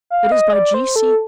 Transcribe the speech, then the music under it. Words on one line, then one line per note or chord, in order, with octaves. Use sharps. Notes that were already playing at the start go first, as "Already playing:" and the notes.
It is by G.C.
F5
D#5
D5
C5
A4